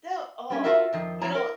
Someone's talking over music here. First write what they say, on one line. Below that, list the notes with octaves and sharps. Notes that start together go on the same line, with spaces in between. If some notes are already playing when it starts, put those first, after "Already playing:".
the oh, you know,
G3 C#4
F4 F#4 A4 A#4 E5 F5
F2 D#3 F3
F3 F#3 E4 C#5 A#5
A#4